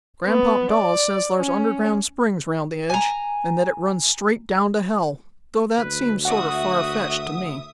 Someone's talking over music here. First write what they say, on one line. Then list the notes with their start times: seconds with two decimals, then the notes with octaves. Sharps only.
Granpop Dawes says thar's underground springs around the edge, and that it runs straight down to hell, though that seems sorter far-fetched to me.
0.24 B3
0.72 D5
1.37 C#4
2.90 G#5 A#5
5.78 D2 B4
6.25 F#4 E5 F#5 D#6